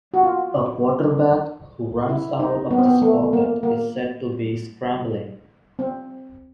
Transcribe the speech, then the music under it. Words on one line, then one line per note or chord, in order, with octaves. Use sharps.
A quarterback who runs out of this pocket is said to be scrambling.
F#4
F4
E4
D#4
B3
C4
B3
A3
A#3
A#3
C4